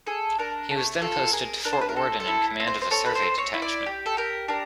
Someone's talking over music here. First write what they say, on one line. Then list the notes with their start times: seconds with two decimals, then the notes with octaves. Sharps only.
He was then posted to Fort Worden in command of a survey detachment.
0.06 G#4 A4
0.38 D4 A#4
0.71 A3
1.02 F4 A4
1.33 G#4 A#4
1.65 D4 A#4
1.73 C5
1.81 B4
1.89 A#4
1.96 C4 A4
2.20 A4
2.27 E4
2.60 C4
2.67 C5
2.82 C5
2.91 A4 C#5
3.06 B4
3.15 C5
3.22 C4
3.38 C#5
3.54 E4
3.62 D5
3.86 G4
4.06 A4
4.17 G4 A#4
4.48 D4 A#4